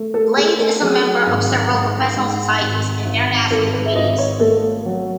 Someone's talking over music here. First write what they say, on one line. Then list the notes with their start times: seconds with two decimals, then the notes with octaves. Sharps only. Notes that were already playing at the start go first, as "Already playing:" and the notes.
Blade is a member of several professional societies and international committees.
Already playing: A3
0.14 A4
0.37 A3 G#4
0.59 A4
0.82 F#3 G#4
1.26 G#1
1.71 G#2
2.16 G#2
2.61 G#1
3.06 G#1
3.51 G#1 A4
3.73 B4
3.86 E5
3.95 G#1 D#5
4.18 C#5
4.40 A3 A4
4.85 F#3